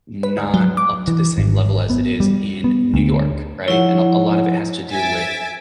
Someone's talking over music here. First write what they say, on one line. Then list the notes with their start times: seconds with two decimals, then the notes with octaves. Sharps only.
not up to the same level as it is in New York, right? And, uh, a lot of it has to do with,
0.23 B4
0.37 D2
0.54 F#3
0.77 D6
1.08 E3
1.38 G#1
1.90 B3
2.20 G3
2.64 B3
2.94 D2
3.68 F3 E4 C#5 F#5
4.89 E5 G#5 A6 B6 D7